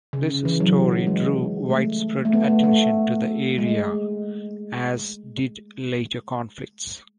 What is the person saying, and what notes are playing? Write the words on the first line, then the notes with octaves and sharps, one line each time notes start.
This story drew widespread attention to the area, as did later conflicts.
C#3
E3
F#3
G#3
A3
A3
B3
A3
A3
G#3